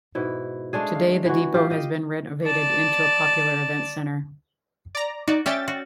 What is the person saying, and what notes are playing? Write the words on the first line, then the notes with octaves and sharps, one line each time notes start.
Today, the depot has been renovated into a popular events center.
G#2 B2 E4
G#3 A3 D4 G#4
F5
E3 F#4
F4 G4
G4 D#5 G5
D5 A5
D5 A#5
D#4 F#4 D5
C#4 D5 E5 G5 A6
F#4